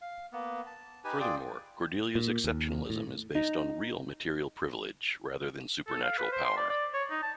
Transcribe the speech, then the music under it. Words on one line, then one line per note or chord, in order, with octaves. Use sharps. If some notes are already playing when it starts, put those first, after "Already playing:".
Furthermore, Cordelia's exceptionalism is based on 'real' material privilege rather than supernatural power.
F5
A#3 B3
A5
D#4 G4 B4 G#5
F4 G#4 D5 G5
A#2
D#2
A2
D#4
A4
F5
B4
C5
C6
D5
D5
C#5
D#4
A5